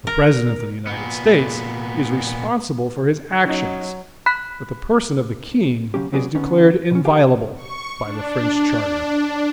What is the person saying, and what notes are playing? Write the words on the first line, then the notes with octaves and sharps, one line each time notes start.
The President of the United States is responsible for his actions; but the person of the King is declared inviolable by the French Charter.
A#4
A#2 B3
F#3 C#4 D#4
B5 F#6 B6
C#3 F#3 C#4 G4
C#2 C#3 F#3 B3 G#4 D5
D3 B3 C#4 D#4
B2 C#4
G4 F5 G#5
C#6
D4